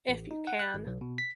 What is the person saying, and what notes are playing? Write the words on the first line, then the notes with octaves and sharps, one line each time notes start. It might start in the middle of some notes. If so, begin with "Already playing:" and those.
If you can.
A1
D#4
F#5
F#6
G#1
B1
B2
B6